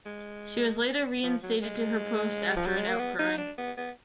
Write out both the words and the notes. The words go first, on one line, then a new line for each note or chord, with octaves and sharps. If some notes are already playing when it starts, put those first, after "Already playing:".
She was later re-instated to her post after an outcry.
G#3
F3
F#3
G#3
F3
F#3
G#3
A#3
B3
D#4
D4
B3
B3